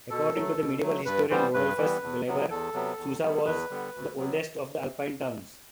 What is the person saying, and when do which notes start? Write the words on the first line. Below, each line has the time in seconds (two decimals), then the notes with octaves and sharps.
According to the medieval historian Rodulfus Glaber, Susa was "the oldest of Alpine towns".
0.10 B2 A4
0.35 F#3 A3
0.59 B2
0.82 F#3 A3
1.05 G2 B4
1.30 E3 G3 B3 C5
1.54 G2 B4
1.78 E3 G3 B3
2.02 E2
2.27 C3 F#3 B3
2.50 E2 A4
2.74 C3 F#3 B3
2.98 E2
3.22 D3 G3 B3
3.46 E2 B4
3.70 D3 G3 B3
3.95 D2
4.18 C3 F#3 B3